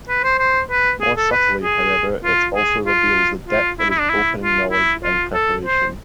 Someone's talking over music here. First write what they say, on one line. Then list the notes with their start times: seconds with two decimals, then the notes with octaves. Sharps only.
More subtly, however, it also reveals the depth of his opening knowledge and preparation.
0.09 B4
0.24 C5
0.39 C5
0.71 B4
1.01 G#4
1.17 A4
1.32 B4
1.63 G#4
2.24 F4
2.55 G#4
2.86 F4
3.48 F4
3.79 E4
3.90 E4
3.99 D4
4.10 E4
4.41 F4
4.71 E4
5.03 F4
5.33 A4
5.65 C5